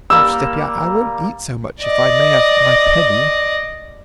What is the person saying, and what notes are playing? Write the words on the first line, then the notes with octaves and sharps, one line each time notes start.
"Oh, steppy, I won't eat so much if I may have my penny!"
G3 A#3 E6
D5 D#5